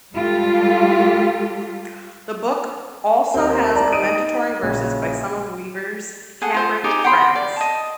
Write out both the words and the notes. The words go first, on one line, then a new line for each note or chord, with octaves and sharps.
The book also has commendatory verses by some of Weever's Cambridge friends.
G3 G#3 F4 G4 A4
D#2 C4 A#4
C2 D5 A5 A#5
D#4 D#6 D7 D#7
A#1 C#3
G#4 A4 F#5
F4 C5
D#4 G4 G#4
F#5 G5 B5 C6
D5
D#5 A5